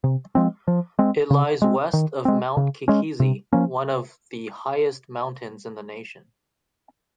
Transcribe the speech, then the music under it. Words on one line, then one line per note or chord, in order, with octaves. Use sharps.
It lies west of Mount Kikizi, one of the highest mountains in the nation.
C3
F3 G#3 C4
F3
G#3 C4
C#3
G#3 C4
D#3
G#3 C4
C#3
G#3 C#4
C3
F3 A#3 C#4